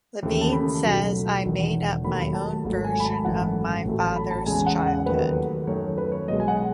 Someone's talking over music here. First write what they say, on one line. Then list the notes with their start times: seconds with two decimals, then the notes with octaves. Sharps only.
Levine says, I made up my own version of my father's childhood.
0.23 D#2 C#3 E3 A3
0.41 A5
0.52 B5
0.83 B1 B2 F#3 A3
1.44 E1 E2 D#3
2.04 D#2 D#3 F#3 A3 B5
2.34 A5
2.64 G#1 G#2 F#3 A3
2.84 G#5
3.00 B5
3.05 A5
3.25 G#1 F#2 E3 A3 F#5
3.85 A1 A2 F#3 A3
4.00 A5
4.16 B5
4.31 A5
4.46 E2 C#3 G#3 G#5
4.66 F#5
4.87 F#5
5.06 D#2 D#3 F#3 A3 B4
5.21 B4
5.67 F#2 D#3 F#3 A3 C#5
5.98 B4
6.12 C#5
6.28 B1 B2 G#3 D#5
6.40 G#5
6.48 F#5